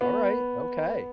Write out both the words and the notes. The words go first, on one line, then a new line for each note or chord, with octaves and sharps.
Alright, okay.
B3